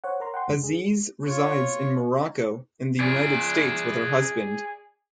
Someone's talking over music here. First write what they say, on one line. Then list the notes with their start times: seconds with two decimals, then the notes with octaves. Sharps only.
Aziz resides in Morocco and the United States with her husband.
0.04 C5 C#5 F#5
0.20 A#4 C#5 A#5 C6
0.34 F#5 G5 C6
0.48 F2 C#3 G#3
0.64 G#4
1.26 F4 C#5
3.00 G#4 D5